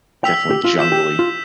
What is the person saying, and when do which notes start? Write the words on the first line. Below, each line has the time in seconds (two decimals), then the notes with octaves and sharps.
definitely jungly.
0.24 G5 E6 B6 F7
0.51 G4
0.64 F4
0.78 F4 G6 B6 E7
0.92 G4
1.19 F4